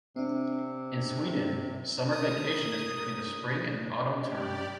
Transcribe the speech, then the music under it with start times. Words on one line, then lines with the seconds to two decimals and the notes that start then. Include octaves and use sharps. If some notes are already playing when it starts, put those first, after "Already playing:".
In Sweden, summer vacation is between the spring and autumn term.
0.16 C3 C4 D4
2.10 A#4 D#6
4.16 G4 D5